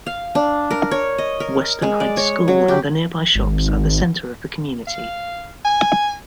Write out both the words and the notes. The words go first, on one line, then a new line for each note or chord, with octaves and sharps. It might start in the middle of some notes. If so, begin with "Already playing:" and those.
Western Heights School and the nearby shops are the centre of the community.
F5
D4
A#4
C#5
D#5
A#4
G#3
D5
C#5
F#3
G4
G#1
F5
G#5